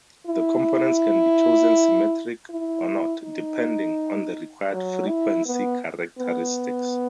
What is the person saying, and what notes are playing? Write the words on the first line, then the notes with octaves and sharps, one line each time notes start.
The components can be chosen symmetric or not, depending on the required frequency characteristics.
E4
E4
D#4
F#3
E4
B3
B3